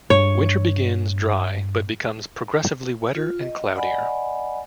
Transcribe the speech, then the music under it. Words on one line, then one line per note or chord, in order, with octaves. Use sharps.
Winter begins dry but becomes progressively wetter and cloudier.
G2 C#5
F4
D#5
D5 D#5 F#5 G#5 B5